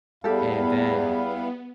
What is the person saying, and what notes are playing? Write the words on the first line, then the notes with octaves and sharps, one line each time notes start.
And then
E2 G3 B3 E4 G4 A4 F5